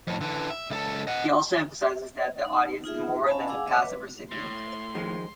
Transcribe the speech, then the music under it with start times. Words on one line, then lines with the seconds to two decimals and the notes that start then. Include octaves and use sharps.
He also emphasizes that the audience is more than a passive recipient.
0.07 F2 A2
0.21 D3 E3
0.50 E5
0.70 C#2 A4
1.07 D#5 F#5
2.45 D#4
2.84 D#4 F4 G#4 E5
3.27 C#4 F5 G#5 A5 B5
3.48 G#4 F5 F#5 G#5 D6 E6
3.67 C#5 D#5 E5 D6
3.82 B4
4.31 A2 C6
4.95 D#3 F3 G#3